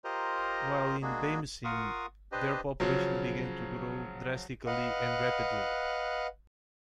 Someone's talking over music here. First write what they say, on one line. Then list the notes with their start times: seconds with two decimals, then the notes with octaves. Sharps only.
While in Bamessin, their population began to grow drastically, and rapidly.
0.04 F4 G4 A#4 C5 D#5 A#5
1.02 G#3 A#3 D4 F#4 G#4
1.64 F4 A#4 F5 F#5 C#6 D#6
2.32 D4 G4 B4 C5 D#5
2.80 C#3 F3 F#3
4.66 B4 D#5 F5 F#5